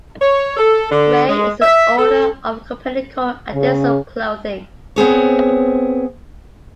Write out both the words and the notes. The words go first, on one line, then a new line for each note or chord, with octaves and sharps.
Gray is the owner of a company called Adesso Clothing.
C#5
A4
D3
G#3
E5
A4
C#3
B3 C4 G#4 C#5